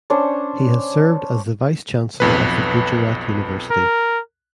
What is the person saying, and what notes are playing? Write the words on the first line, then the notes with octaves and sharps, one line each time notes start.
He has served as the vice chancellor of the Gujarat University.
C#4 D4 C5 C#5
B1 F2 B4
A#4